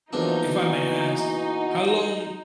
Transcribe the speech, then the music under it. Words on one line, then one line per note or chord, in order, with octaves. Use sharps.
if I may ask, how long
A#1 E2 A#2 F3 F#3 D4 D#4
E3 B3 F#4